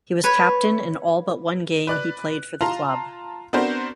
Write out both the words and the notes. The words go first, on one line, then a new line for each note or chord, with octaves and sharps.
He was captain in all but one game he played for the club.
B4 C#5
B4 D5 F#6
F4 F5 A5 A#5 C6
B3 C4 D4 F#4 A#4 C5